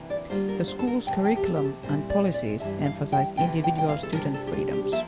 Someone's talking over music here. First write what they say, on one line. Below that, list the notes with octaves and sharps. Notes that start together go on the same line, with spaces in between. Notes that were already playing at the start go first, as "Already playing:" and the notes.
The school's curriculum and policies emphasize individual student freedoms.
Already playing: D2 C3 E3 A#3
D5
D3 G3 A#3 F4 C5
A#4
C5
A4
A#4
D2 C3 F3 G5
G5
G4
A4
G4
A4
A#2 G3 C4 E4 C5
D5
D5
G2 E3 G3 E5
F5
G5
D2 C3 E3 A#3 F4 G5
G5
G5
F5
A4
C3 G3 D4 F4 A#4
A4
G4
F4
G4
F3 A#3 F4 E5